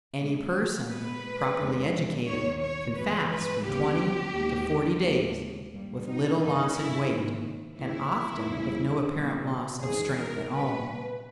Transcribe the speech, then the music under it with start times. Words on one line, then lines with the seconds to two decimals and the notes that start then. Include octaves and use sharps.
Any person, properly educated, can fast from twenty to forty days with little loss in weight, and often with no apparent loss of strength at all.
0.21 B2 G#3 B3
0.89 A#2 G#3 B3 B4
1.58 E2 D#3 G#3 B3
2.27 D#2 D#3 A#3 C#5
2.62 C#5
2.95 G2 E3 G#3 B3 B4
3.30 B4
3.64 D#2 C#3 G3 B3 G4
4.33 D#2 D#3 G#3 B3
5.01 D#2 C#3 G#3
5.71 G2 G3 A#3
6.06 D#4
6.40 G2 G3 B3 D#4
6.74 E4
7.09 G#2 D#3 A#3
7.77 D#2 C#3 E3 E4
8.45 E2 C#3 G3 A#3
9.14 A#2 G3 B3
9.83 E2 D#3 G#3 G#4
10.18 A#4
10.51 A#2 G3 B3 B4